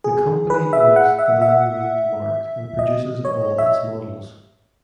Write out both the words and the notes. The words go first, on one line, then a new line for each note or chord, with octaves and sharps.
The company owns the Landwind marque and produces all its models.
G#4
B4
E5
F#5
E5
E5
D#5
C#5
E5